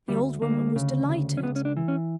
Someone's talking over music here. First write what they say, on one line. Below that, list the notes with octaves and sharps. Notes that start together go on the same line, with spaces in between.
The old woman was delighted.
D2 G3
D2 A#3
C#3
D2
C#4
C#2 B3
C#4
D4
E3
C#4